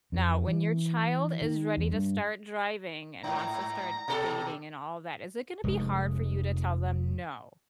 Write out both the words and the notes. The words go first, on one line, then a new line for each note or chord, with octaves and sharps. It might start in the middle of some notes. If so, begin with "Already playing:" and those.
Now, when your child is ready to start driving and wants to start dating and all that, is it gonna be hard for you to tell them "no?"
F2
E3
D#3
E2
G2
G#2 A#5
B2 A4
F1 G#3